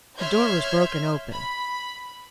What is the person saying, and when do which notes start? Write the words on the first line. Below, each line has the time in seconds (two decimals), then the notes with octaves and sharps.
The door was broken open.
0.18 C#5 E5 C6 F6 G6 G#6
1.32 B5